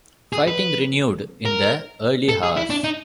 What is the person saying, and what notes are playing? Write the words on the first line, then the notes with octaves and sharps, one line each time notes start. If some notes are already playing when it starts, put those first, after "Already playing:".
Fighting renewed in the early hours.
G#4
B4
A#4
A4
G#4
E4
D4
D#4